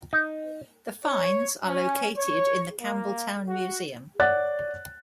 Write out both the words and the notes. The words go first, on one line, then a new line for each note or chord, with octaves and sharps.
The finds are located in the Campbeltown Museum.
D#4
C#5
C#4
C#5
A#3
F#4
C#5 D5 F#5 F#6 A6